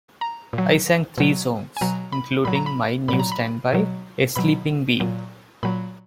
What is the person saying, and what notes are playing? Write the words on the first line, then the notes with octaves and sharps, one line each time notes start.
I sang three songs, including my new standby "A Sleepin' Bee".
A#5
A#2
F#3
B2 F#3
G#5
B2 F#3 A#5
B5
A#2 F#3 B5
A#5
B5
A#2 F#3 B5
A#5
B5
B2 F#3
B2 F#3 B5
A#2 F#3
A#2 F#3 B5